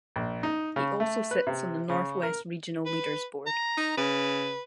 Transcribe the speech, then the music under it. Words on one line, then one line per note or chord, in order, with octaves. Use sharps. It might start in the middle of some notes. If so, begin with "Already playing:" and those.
He also sits on the North West Regional Leaders Board.
A#1
D#4
C#3
A3
B4
C3
C#3
A#4
B4
A#5
D#4
C#3 B4